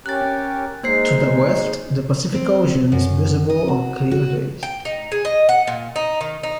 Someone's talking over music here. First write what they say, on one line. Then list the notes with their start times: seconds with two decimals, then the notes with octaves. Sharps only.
To the west, the Pacific Ocean is visible on clear days.
0.06 C#4 G4 A#4 F#6 A6
0.83 G#3 A#3 D#4 C5 C7
2.35 C4
2.92 F#2
3.50 D#5
3.68 F#4
4.11 F#4
4.63 G5
4.85 D#4
5.12 G#4
5.25 D#5
5.49 F#5
5.67 A#2
5.96 D#4
6.21 D#3
6.43 D#4